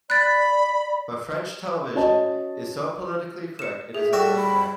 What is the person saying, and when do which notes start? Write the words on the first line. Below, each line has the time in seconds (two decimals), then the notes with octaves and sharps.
But French television is so politically correct it is a nightmare.
0.10 D5 B5 F#6 A6
1.95 C#4 F#4 C#5 D#5 A5
3.59 C#7 E7
3.95 G#4 E5
4.13 G3 F#4 A4 E5
4.37 B5